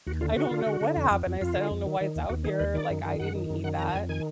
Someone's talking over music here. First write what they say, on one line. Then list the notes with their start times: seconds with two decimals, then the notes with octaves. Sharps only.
I don't know what happened." I said, "I don't know why it's out here, like, I didn't eat that."
0.07 D#2 F#4
0.21 D3 F4
0.36 D3 F#4
0.49 D3 F4
0.61 F#4
0.66 D3
0.81 D3
0.97 F2
1.11 F2
1.26 F2
1.41 F2 F4
1.56 D3
1.71 F2
1.86 D#3
2.01 D#3
2.16 D#2
2.30 D#2 F#4
2.45 D#3 G#4
2.59 D#2 B4
2.74 D#3 D5
2.90 F#2
3.05 D#3
3.20 F#2 F#5
3.35 D#3
3.50 F#2
3.64 D#3 F#5
3.79 F2 A#5
3.90 A#5
3.94 F2 G#5
4.09 D#3 G#5